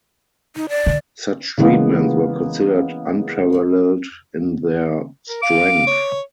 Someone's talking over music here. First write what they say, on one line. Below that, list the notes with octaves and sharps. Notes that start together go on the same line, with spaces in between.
Such treatments were considered unparalleled in their strength.
D#4
D5
D3
C#3 E3 G#3 A#3 B3
A#4
F5 D6
C#5